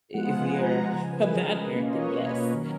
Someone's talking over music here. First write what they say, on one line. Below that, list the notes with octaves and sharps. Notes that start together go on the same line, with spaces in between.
I if you're a bad parent, then yes.
F3 G#3 B3 F4 F#5
G#5
A#5
C#3 F3 G#3 A#5
G#5
B4
A#4
G#4
B2 A#3 C#4 F4 B4
D#5
C#5
B4
B4
C#5
B4
D#3 F#3 C#4 A#4